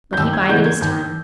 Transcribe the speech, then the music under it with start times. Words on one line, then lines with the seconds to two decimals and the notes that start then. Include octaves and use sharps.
But he bided his time.
0.13 G6
0.18 D#2 E6
0.33 G#6
0.49 C#3 E3 G#3 B3 G6
0.66 G#6
0.81 D#2 G6